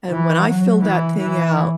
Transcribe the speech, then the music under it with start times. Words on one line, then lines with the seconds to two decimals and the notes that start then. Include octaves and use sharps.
and when I filled that thing out
0.10 E3
0.46 F#3
0.82 E3
1.18 E3